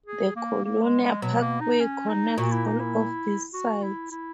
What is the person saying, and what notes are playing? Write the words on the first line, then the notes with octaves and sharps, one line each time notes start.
The Colonial Parkway connects all of these sites.
G#4
A#3
A#3
G#3
G#3
B2 F#3
A#3
D#4
C#4
D#4
A#2 F#4
E4
D#4
E4
F#4
E4
E4